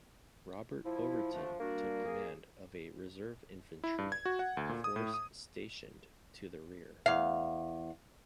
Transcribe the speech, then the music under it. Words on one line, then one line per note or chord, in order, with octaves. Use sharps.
Robert Overton took command of a reserve infantry force stationed to the rear.
F3 E4
D3 A3 D4
G3 A#3 D4 F#4
G#4
E4
G2
G#6
F#4
F#5
D2
A#2
D#6
A2
D#6
E2 F5